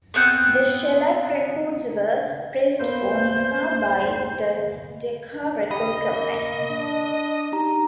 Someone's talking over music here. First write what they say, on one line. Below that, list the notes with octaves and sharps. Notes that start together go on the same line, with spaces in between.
The shellac records were pressed for Nixa by the Decca Record Company.
B3 C4 F#5 G6
A#3 B3 C5 G6
C#2 G4 D#5 B5
A#3
D4
D#4 G4 A#5